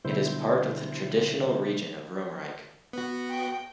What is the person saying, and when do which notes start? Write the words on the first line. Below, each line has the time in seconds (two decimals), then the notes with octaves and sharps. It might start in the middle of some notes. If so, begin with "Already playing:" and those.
It is part of the traditional region of Romerike.
0.04 B2 D3 G3 E4 C5 G6
2.93 B3 F#4
3.30 G5